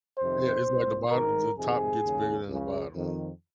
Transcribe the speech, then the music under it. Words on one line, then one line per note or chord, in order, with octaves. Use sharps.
Yeah, it's like the bott the top gets bigger than the bottom,
F2 C3 D#3 C5
C2 A#2
G#1 G#2 D#3 A#4
F2 C3 D#3 G#4
D#2 C#3
C#2 C#3
F2 D#3